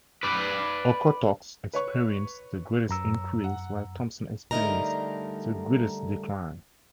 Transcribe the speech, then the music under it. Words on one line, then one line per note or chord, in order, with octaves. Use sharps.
Okotoks experienced the greatest increase while Thompson experienced the greatest decline.
B4 D5
B4 C#5 C#6
F#2 A#5 E6
F#5
D3 G3 A3 D#4 A#4 A#5